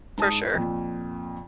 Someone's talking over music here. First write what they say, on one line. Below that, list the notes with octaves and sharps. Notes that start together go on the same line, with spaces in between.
For sure.
G#2 A5 D#6
F2 A#2